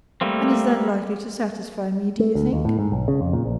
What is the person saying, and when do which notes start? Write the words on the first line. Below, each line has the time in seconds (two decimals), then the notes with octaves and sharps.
"And is that likely to satisfy me, do you think?"
0.21 G3 A3 A#3 C4
2.19 A3
2.35 D2
2.53 D#2
2.65 A2
2.79 G#2
2.92 B1
3.08 C#3
3.21 F2
3.33 A#2
3.45 A#1